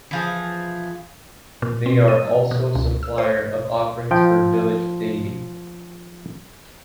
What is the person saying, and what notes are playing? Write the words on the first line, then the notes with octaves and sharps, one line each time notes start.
They are also supplier of offerings for village deity.
E3 F3 G#4
A#2
C4
D#7
B2
C#2
E6
C5
F3 G5